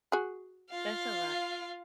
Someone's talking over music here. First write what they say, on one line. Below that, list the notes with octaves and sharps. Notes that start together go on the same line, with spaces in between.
That's a lot.
F#4 G#4
F4 F5